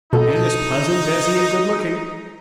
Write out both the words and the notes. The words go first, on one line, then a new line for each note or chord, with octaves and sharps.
And as pleasant as he is good-looking.
B2 D#4 A4